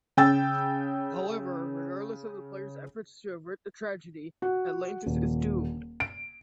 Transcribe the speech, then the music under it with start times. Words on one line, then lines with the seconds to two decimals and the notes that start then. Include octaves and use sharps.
However, regardless of the player's efforts to avert the tragedy, Atlantis is doomed.
0.17 C#3 G5 E6 A6
4.42 F#4
5.06 D#1
6.00 D7